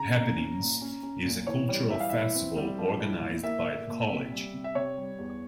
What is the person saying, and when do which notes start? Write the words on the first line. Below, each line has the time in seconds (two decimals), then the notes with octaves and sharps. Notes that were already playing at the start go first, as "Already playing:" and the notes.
Happenings is the cultural festival organized by the college.
Already playing: C#3 A#5
0.15 A#2
0.38 C#4
0.59 A#2
0.81 C#4
1.03 C#4
1.25 A#2
1.47 E3 C#5
1.69 G3 C#5
1.90 E3 E5
2.00 F5
2.09 E4 E5
2.35 C4
2.56 G3
2.78 F3
3.00 E4
3.22 A#2
3.43 A#3 E5
3.66 A#2
3.87 A#2
4.09 C3
4.32 G3
4.53 C3
4.64 E5
4.75 C3 C#5
4.97 G3
5.19 E2